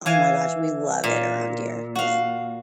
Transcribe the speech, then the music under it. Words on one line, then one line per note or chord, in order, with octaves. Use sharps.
Oh my gosh, we love it around here. Like
E3 F5 G#5
A#2
F#4 F5